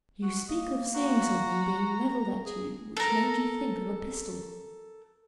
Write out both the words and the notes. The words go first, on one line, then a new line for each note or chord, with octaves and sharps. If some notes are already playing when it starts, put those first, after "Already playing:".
"You speak of seeing something being leveled at you which made you think of a pistol."
F#4
A#3 D#5
F#4 A#5
G#4
A4 A#4